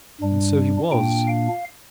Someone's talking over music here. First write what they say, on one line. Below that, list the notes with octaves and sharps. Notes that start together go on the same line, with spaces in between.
And so he was.
G2 G3 D4
A#2 A#3 D4 G5
F5